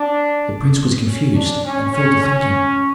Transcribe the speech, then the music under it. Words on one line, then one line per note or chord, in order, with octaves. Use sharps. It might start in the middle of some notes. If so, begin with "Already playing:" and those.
The prince was confused and fell to thinking.
Already playing: D4
C#4
D4
C#4
C#4
C#4